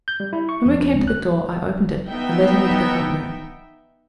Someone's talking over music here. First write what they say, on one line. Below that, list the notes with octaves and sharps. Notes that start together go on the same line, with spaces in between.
When we came to the door, I opened it, and led him into the front room.
G6
G3
E4
C#6
F2
F3
C#2
F#6
B3 D#4 E5 G5